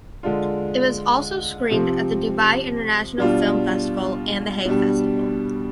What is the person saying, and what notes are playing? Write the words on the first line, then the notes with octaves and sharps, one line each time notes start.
It was also screened at the Dubai International Film Festival and the Hay Festival.
D3 G#3 D4 F4
C3 F3 C4
B2 G3 D4 F4
B2 G3 D4